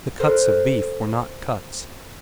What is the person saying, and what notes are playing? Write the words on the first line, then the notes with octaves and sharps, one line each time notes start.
The cuts of beef were not cuts.
A4 A#4 C5